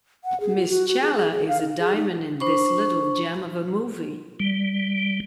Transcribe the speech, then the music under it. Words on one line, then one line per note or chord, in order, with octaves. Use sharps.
Ms Chawla is a diamond in this little gem of a movie.
F#5
G#4
F4
F#4
F#4
G#4
G#4
G#4
F5
D#4
G#4
D#4
D4 C5 B5 C#6
G3